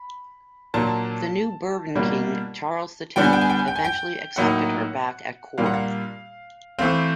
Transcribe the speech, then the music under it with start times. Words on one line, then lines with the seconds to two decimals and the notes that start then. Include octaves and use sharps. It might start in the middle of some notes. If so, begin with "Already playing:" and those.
The new Bourbon king, Charles the Tenth, eventually accepted her back at court.
Already playing: B5
0.74 A#2 F#3 A#3 D4 A5
1.95 B2 G3 A#3 D4 F4
3.16 D3 G3 B3 D4 G5
3.24 G#5
3.33 G5
3.41 G#5
3.50 G5
3.59 G#5
3.68 G5
3.76 G#5
3.85 G5
4.36 A2 F#3 A#3 D#4 F#5
5.58 A#2 G3 A#3 D4 F5
5.66 F#5
5.74 F5
6.79 E3 A3 C4 F5